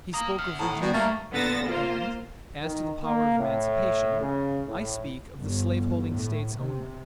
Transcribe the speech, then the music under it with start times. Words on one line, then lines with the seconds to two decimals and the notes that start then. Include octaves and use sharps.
He spoke of Virginia; and, as to the power of emancipation, I speak of the slave holding States only.
0.14 F5 A#5 D#6
0.39 E5 F#5 F6
0.59 A2 A5 A#5 D#6
0.81 B2 G3 F#4
0.94 G2 A3 A#3 A#5 C#6 A6
1.32 A#2 D3 B3 E6 A6 A#6
1.65 A#3 F4 C5
2.63 D#3
3.04 A#3
3.38 A2
4.20 C#3
4.66 A2
5.37 G1
6.12 A2
6.55 C3